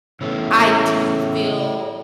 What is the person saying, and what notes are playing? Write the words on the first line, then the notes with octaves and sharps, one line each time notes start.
I do feel
A2 C#3 E3 B3